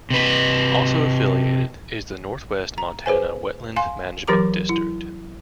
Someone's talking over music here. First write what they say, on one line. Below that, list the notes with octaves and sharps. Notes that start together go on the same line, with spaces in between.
Also affiliated is the Northwest Montana Wetland Management District.
C3 B4
A#5
G#4 B4 C5 G#5
F5 G#5 C6
E3 F#3 G4 A#4 A#5 D6
E4